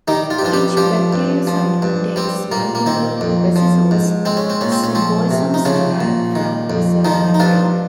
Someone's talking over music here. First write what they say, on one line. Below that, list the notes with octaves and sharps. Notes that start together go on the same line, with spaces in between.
Each bacteriocyte contains multiple vesicles, symbiosomes derived from the cell membrane.
D#3 G3 D#4
F4
G4
G2 F3 F4
G3 G4
F3 G3 G4
G2
F3
G2
G3 C4
A#2 A#3
A#3
D#3 C4
F2
F3
G#2
G#3 C4
C#4
C4
A#2 C#4
C4
C#4
F3 C4
C3
D#4
C#3 F3 C#4
A#2
D#3
F2
D#3 F3 D#4
D#4
G2 F3 F4